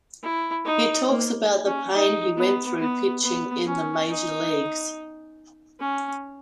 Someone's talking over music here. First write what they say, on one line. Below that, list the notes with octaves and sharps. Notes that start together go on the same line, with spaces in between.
He talks about the pain he went through pitching in the Major Leagues.
E4
D#4
A#3
C#4
D#4
B3
B3
B3
C#4
D#4
C#4